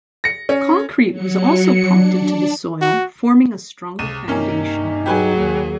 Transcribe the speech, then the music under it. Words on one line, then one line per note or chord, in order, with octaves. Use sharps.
Concrete was also pumped into the soil forming a stronger foundation.
A#6 C#7
C#4
F#3 C#7
D4
F#4
C#2 C3 D#7 E7
G2 C3 A#3 C#4 D#4
F#3 G4 G#4 B4 G#5
D#2 A#3